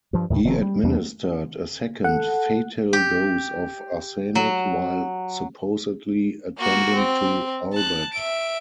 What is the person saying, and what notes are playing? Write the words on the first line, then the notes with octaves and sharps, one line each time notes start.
He administered a second, fatal dose of arsenic while supposedly attending to Albert.
G2 F3
D#2 A2 C#3
F1 D#3 F3 C4
G3
E2 G3 C4 D4
A4 F#5
G4
F#3
A#3 F#4
C4
A5 F#6
E5 D7